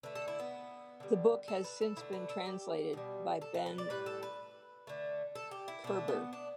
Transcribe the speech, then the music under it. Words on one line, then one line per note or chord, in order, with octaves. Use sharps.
The book since been translated by Ben Koerber.
D3 A3 B4
A4
E4
B3
D3 G3
A4
B4
A4
D3 A3 E4
B4
A4
G4
B2 G3
A4
B4
B4
D5
A2 G3 B4
A4
B4
D3 A3
A4
G4
E4
B2 A3 D4
B3
D4